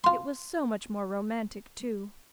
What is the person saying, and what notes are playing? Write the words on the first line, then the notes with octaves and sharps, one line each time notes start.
It was so much more romantic, too.
F4 C6